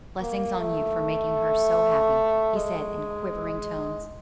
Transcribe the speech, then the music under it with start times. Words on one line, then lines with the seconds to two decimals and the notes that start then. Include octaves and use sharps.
"Blessings on you for making her so happy," he said in quivering tones.
0.21 A#3
0.60 A3
2.55 G#3